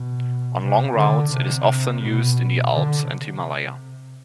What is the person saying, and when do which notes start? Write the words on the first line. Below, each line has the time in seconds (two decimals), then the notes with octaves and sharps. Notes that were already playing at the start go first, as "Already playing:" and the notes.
On long routes it is often used in the Alps and Himalaya.
Already playing: B2
0.61 C3
0.96 D3
1.32 C3
2.01 B2
2.71 D3
3.07 C3